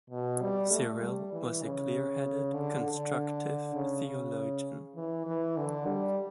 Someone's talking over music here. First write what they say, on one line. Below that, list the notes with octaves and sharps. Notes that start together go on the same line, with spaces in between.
Cyril was a clear-headed, constructive theologian.
B2
G3
A3
G3
E3
C#3
D3
D3
C#3
C#3
E3
E3
D3
G3